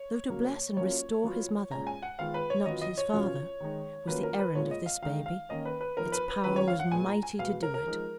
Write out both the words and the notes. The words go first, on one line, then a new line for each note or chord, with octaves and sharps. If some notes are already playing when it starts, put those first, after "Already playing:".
Though to bless and restore his mother, not his father, was the errand of this baby, its power was mighty to do it.
Already playing: C#5
C#3 F#3 A#3
F#3 A#3 C#4 F4 C#5
F#3 B3 F4
A#2 G#3 C#4 A#5
G#5
F#5
D#3 G#3 B3 F4 F5
B4
C#5
D#3 F#3 B3 F4 D#5
D#5
C#5
B2 F#3 C#4 F4
D#3 G#3 D#4
D#3 F#3 A#3 C#4 F4 B4
A#4
B4
A#2 G#3 B3 F4 C#5
D#5
F5
D#3 G#3 D#4 F5
F5
D#3 A#3 C#4 D#5
B4
B4
F3 B3 D#4 A#4
B4
B4
D#3 G#3 C#4 F4 B4
C#5
F5
F#5
A#2 G#3 B3 G#5
A#5
G#5
B2 G#3 B3 F5
A#4
A#4
F3 G#3 D#4